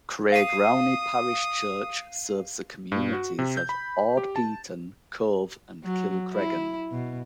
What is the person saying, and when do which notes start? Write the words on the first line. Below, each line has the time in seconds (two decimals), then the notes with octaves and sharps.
Craigrownie Parish Church serves the communities of Ardpeaton, Cove and Kilcreggan.
0.32 F5 D#6 C7 D#7
2.92 G2
3.13 F#4
3.39 C3
3.57 G6
3.69 B5
4.17 G4
4.36 A5
5.84 F#3
6.34 E4
6.91 B2